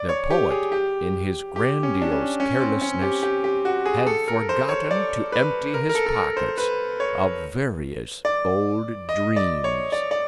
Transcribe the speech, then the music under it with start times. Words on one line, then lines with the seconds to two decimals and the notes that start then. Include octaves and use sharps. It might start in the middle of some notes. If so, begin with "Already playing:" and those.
The poet, in his grandiose carelessness, had forgotten to empty his pockets of various old dreams!
Already playing: D5
0.09 C#5
0.30 G4
0.51 G#4
0.72 G4
1.56 G4
1.83 C#4
2.02 D4
2.12 C#4
2.40 C#4
2.60 C4
2.82 C#4
3.02 G4
3.23 G4
3.44 G4
3.65 F#4
3.86 G#4
4.07 A4
4.28 A#4
4.49 C5
4.69 C#5
4.91 D5
5.32 B4
5.74 A#4
5.89 A#4
5.95 A4
6.06 A4
6.16 A#4
6.37 C5
6.58 B4
7.00 C#5
8.25 D5
9.09 D#5
9.36 D5
9.64 C#5
9.92 D5
10.11 D5